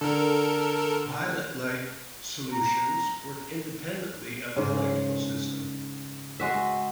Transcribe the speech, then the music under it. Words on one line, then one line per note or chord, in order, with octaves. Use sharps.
Pilot light solutions work independently of the electrical system.
D3 A4 A#4
A#5
G#2 C#3
G#3 F#4 E5